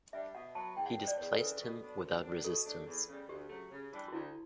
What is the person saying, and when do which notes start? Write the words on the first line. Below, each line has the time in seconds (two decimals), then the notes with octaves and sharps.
He displaced him without resistance.
0.13 G3 D4 E5
0.34 B2 F#5
0.55 F#3 B3 A5
0.76 E2 G5
0.86 F#5
0.97 B2 G3 B3 D4
1.08 D5
1.18 E2 C#5
1.33 A4
1.39 C#3 E3 A3 D4 B4
1.60 B2
1.81 F#3 B3 D4
2.02 D2
2.23 C#3 G3 D4
2.44 B2 A4
2.66 F#3 A3 D4
2.86 E2
3.08 C#3 G3
3.28 D2 G4
3.49 C#3 F#3 A3
3.71 C#3
3.91 E3 G3 D4
4.08 F#4
4.12 D2 E4